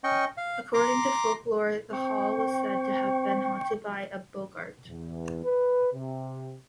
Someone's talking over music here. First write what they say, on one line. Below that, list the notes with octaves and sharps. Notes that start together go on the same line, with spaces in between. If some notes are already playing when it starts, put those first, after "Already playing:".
According to folklore, the hall was said to have been haunted by a boggart.
C#4 D#5 G5 C#6
F5
A#5 C6 D6
C4 G5 C#6
E2
B4
C3